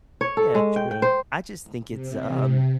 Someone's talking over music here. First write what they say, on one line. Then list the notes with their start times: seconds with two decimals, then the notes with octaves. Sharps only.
Yeah, true. I just think it's, um,
0.21 C#5
0.37 A4
0.55 G#3
0.76 G5
0.91 G5
1.02 C5
1.89 C3